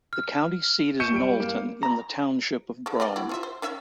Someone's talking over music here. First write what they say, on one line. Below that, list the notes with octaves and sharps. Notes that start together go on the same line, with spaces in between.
The county seat is Knowlton in the Township of Brome.
F6
C#6 G6 C#7 D#7 E7
G3 D7
A#3
A#5
G#3 A3
G#3 C4 D5
E4 F#4 G4
F3 F4 E5
C5
D#3 C#4 E5